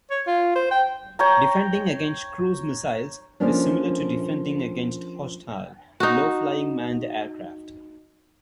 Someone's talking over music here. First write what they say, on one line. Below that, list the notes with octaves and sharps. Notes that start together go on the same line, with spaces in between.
Defending against cruise missiles is similar to defending against hostile, low-flying manned aircraft.
C#5
F4
C5
G5
C#5 G5 A#5
F3 A3 A#3 C#4 D4
D#4 F#4